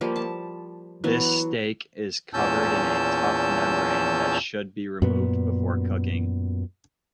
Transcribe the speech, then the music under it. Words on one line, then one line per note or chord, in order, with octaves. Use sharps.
This steak is covered in a tough membrane that should be removed before cooking.
F3 G3 A#3
A5
E3 F#3 B3
E2 A#2 C#4 A5 E6 G6
F#2 A#2 B3